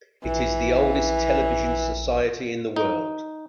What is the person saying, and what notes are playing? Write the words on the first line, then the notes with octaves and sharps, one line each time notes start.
It is the oldest television society in the world.
A#1 E3
D#4